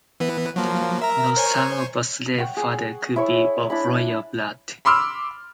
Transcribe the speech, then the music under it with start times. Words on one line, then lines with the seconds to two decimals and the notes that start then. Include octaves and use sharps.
No son of a slave father could be of royal blood.
0.20 E3 B3 B4
0.56 F3 F#3 A#3
1.02 A#4 E5 A#5
1.37 C5 C#5 G#5
2.38 F#5 G5 C#6
2.57 G#4
3.16 E4 C#5 E5 C#6
3.70 D4 E4 B5
4.85 B5 C6 D6 E6 F6